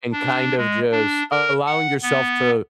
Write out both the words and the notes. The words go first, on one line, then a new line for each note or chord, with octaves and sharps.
and kind of just allowing yourself to
D4
G#3
D4
A#4
F#5
B3